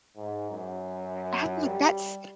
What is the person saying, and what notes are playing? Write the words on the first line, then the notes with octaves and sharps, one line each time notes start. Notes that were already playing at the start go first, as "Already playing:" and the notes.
I'm like "That's
G#2
F#2
G3